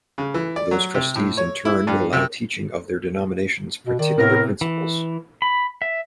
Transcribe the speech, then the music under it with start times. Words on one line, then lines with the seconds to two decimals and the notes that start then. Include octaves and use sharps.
Those trustees in turn would allow teaching of their denomination's particular principles.
0.18 C#3
0.34 E3
0.56 D5
0.71 F#3
0.94 C3
1.16 A2
1.37 C#5
1.65 E4
1.87 G2
2.13 C3
3.87 B2
3.99 D#3 D5
4.18 A2 C3 B3 E4 A#4
4.61 E3
5.42 B5
5.82 E5